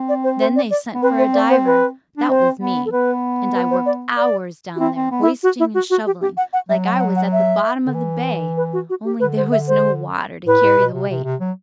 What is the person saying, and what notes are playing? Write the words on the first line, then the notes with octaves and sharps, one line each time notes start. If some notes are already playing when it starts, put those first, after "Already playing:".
Then they sent for a diver--that was me--and I worked hours down there hoisting and shoveling, like I was at the bottom of the bay, only there was no water to carry the weight.
Already playing: C4
D5
C5
C5
D5
D5
B3
C4 B4
C5
D5
C5
B4
D4
C4 C5
B3
A4
B3 B4
B4
C5
D5
D5
F#4
C4 E4
C4
B3
E4
F#4
E4
F#4
F#4
G4
G4
F#5
F#5
F#3 E5
F#5
G5
F#5
F#5
E5
D3
E3
B4
F#4
F#4
G4
D3 B4
C5
E5
C5
A2 B4
A2
B2
C3
C3
C3
F#3